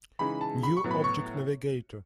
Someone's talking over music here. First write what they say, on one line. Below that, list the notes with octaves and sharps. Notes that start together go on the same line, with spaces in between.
New Object Navigator.
C#3 E3 G#3 D#4 B5
A5
B5
C#6
A2 F#3 B3
B5
C#6